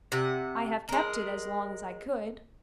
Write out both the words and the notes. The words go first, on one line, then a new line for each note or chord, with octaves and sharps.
I have kept it as long as I could.
C3 F#5
G#3 A#4